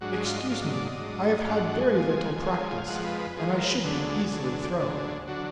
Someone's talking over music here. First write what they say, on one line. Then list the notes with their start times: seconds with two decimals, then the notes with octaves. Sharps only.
"Excuse me; I have had very little practice, and I should be easily thrown."
0.01 G#2 F#3 D4 F#4
0.13 G#4
0.25 F4
0.37 D#5
0.49 G#2 F#3 D4 F5
0.61 D#5
0.73 D5
0.86 D#5
0.97 G#2 F#3 D4
1.45 G#2 F#3 D4 F5
1.57 F#5
1.69 F#5
1.80 G#5
1.93 F2 F3 G#3
2.41 F2 F3 G#3
2.77 F5
2.88 F2 F3 G#3 F#5
3.04 B4
3.20 B4
3.36 F2 F3 G#3 G#4
3.52 A#4
3.68 B4
3.83 D2 D3 F#3 D4 G#4
4.31 D2 D3 F#3 D4
4.79 D2 D3 F#3 D4
5.27 D3 F#3 D4 F#4